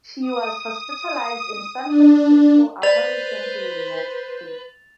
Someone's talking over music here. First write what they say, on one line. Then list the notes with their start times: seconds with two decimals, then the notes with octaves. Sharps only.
She was hospitalized in San Francisco upon return to the United States.
0.20 D#6
1.87 D4
2.83 B4 C5 D5 A6 F7